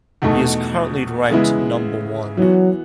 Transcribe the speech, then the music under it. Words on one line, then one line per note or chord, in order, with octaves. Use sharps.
He is currently ranked number one.
E2 B2 A3 D#4 A4
C#3 E3 G#3 B3 E4
E3 F#3 B3 F#4